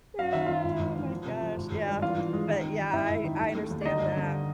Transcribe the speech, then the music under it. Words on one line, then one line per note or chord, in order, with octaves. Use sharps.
oh my gosh, yeah. But, yeah, I I understand that,
F#2 F5
D#3 E5
D#3 F4 F5
G#1
G#1
E3
F3
C3
F3
G#1
G#1
G2
E3 F4 F5
E3
G#3
D#3
D#3
D#3
G#1 E4 E5
G#1
D#3
D#2
A3
D#2
D5
D3 D#4 D#5
G2
D3